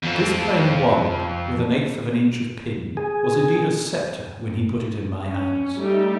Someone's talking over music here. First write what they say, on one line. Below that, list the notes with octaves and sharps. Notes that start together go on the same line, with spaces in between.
This plain wand, with an eighth of an inch of pin, was indeed a sceptre when he put it in my hands.
F2 F3
G#4
C#4
G3 A3 D#4 G4 E5